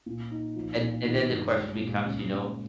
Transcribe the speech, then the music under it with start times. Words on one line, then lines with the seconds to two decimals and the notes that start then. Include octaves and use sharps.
and and then the question becomes, you know,
0.06 A#2
0.31 D#4
0.56 F3
0.81 A#2
1.05 D#3
1.30 G2
1.55 G#3
1.80 A#2
2.05 C#3
2.30 G#3